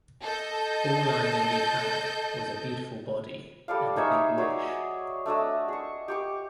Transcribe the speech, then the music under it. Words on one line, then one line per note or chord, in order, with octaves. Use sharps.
All I maybe had was a beautiful body and a big wish.
A4 D#5 G6
G3 A4 D5 F5
D#4 G#4 C#5 E5
F#3 G#4 C#5 D5
A3 D4 D#5 E6
G#4 C#6
G4 C#6 D6